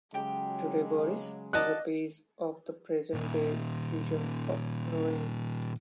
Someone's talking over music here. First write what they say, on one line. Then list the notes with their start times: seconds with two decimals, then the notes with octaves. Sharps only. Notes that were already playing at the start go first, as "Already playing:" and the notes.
Today "Barrois" is a "pays" of the present-day region of Lorraine.
0.14 C#3 F#3 G#3 G4 G5
1.53 F#4 D#5 F5 A5 D6 F#6
3.14 A#2 D#3